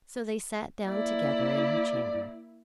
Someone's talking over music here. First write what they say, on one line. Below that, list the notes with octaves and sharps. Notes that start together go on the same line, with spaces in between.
So they sat down together in her chamber.
A#3 E4 D5